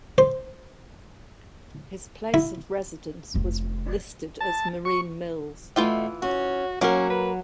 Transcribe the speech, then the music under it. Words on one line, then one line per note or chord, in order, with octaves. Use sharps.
His place of residence was listed as Marine Mills.
C5
E4
F1 C3
A5
C#6
B2 E3 A3 F4 G5
C#4 F#4
F#3 A#3 C#4 F#4 A#4
B4